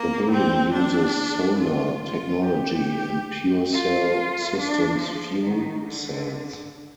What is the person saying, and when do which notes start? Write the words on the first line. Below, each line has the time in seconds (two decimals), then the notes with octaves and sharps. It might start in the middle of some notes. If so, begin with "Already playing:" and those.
The building uses solar technology and PureCell Systems fuel cells.
Already playing: A#3
0.30 C4
0.73 D4
1.58 F4
2.01 F4
2.44 G4
3.72 F4
4.58 D4
5.00 F3
5.43 D#3
5.86 D3